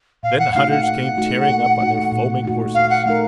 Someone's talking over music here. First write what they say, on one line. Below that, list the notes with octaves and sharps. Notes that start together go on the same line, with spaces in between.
Then the hunters came tearing up on their foaming horses.
A#2 F5
F#5
A3 D#4 F#4 F5
F#5
A#2 F#5
A3 D#4 F#4
A#2
A3 D#4 F#4
A#2
A3 D#4 F#4
A#2 F5
F#5
A3 D#4 A#4 F5